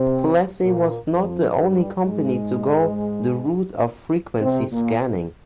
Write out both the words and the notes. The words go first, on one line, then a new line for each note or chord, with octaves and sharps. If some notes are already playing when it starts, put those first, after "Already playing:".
Plessey was not the only company to go the route of frequency scanning.
Already playing: C3 C4
A#2 A#3
F2 F3
G2 G3
G#2 G#3
C3 C4
A#2 A#3